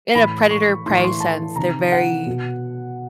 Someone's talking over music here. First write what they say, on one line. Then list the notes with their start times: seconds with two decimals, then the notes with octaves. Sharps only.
In a predator prey sense, they're very
0.15 A2 E3 B5
0.51 C#6
0.86 A2 E3 C6
0.95 C#6
1.04 C6
1.20 A5
1.56 C3 D#3 A#5
1.92 F#5
2.26 B2